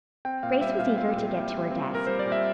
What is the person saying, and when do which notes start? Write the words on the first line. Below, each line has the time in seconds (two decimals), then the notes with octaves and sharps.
Grace was eager to get to her desk.
0.25 C4 G5
0.43 A#2 F5
0.61 G3 E5
0.79 A#2 F5
0.98 C4 F5
1.16 A#2
1.34 G3
1.52 A#2
1.71 C4
1.89 A#2
1.95 A#4
2.07 G3 C5
2.19 D5
2.26 A#2
2.32 E5